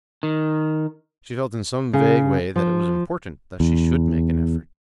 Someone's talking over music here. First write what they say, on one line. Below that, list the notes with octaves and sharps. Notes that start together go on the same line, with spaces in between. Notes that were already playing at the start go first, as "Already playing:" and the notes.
She felt in some vague way that it was important that she should make an effort.
D#3
C#3
F3
E2